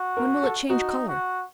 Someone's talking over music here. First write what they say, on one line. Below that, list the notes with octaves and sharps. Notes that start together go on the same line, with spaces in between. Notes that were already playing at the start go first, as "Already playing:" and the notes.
"When will it change colour?"
Already playing: F#4
A#4
A4
D#4 F#4
F#4